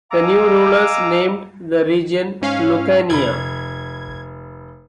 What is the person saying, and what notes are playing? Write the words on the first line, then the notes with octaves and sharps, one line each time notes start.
The new rulers named the region Lucania.
D#5 F5 G#5 A#5 D6 E6
G#2 C#4 F5
F1 B5 G#6